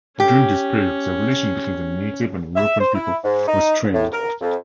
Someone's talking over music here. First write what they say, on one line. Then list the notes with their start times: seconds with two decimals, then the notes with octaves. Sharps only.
During this period, the relations between the native and European people were strained.
0.20 C#4 G4
2.56 E5
2.80 C5
2.94 E4
3.24 G#2
3.48 D#4
3.93 A2
4.12 A#4
4.41 F2